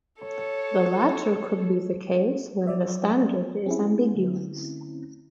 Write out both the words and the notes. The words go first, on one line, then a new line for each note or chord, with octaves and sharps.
The latter could be the case when the standard is ambiguous.
A4 C#5
F#3 D5 E5
C4 C#4 E4 G4 G#4
D3 A3